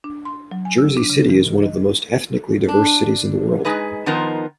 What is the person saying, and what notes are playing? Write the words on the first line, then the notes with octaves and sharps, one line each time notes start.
Jersey City is one of the most ethnically diverse cities in the world.
D4
C6
F#3
G#5
E6
D4
C#3
E3
D#5
D4
G#3 D#4 G#4 B4 D#5
D#3 F3 B3 D#4 A#4 C5